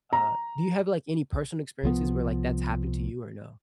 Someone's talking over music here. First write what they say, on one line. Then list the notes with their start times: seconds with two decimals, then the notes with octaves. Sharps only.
uh, do you have, like, any personal experiences where, like, that's happened to you or no?
0.13 A#5
1.83 C2 F3 B3